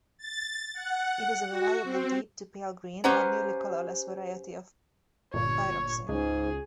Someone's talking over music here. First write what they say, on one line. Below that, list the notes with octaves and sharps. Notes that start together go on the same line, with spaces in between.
It is a variably deep to pale green or nearly colorless variety of pyroxene.
A6
F#5
F#4
C4
C#4 G4 B4 C5 F#5 A#5
G1 A#2 C#5
C#2 G#2 G#4